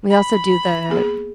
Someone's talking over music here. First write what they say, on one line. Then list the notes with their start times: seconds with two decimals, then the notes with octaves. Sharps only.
We also do the
0.10 B5
0.89 A#3 B3 G#4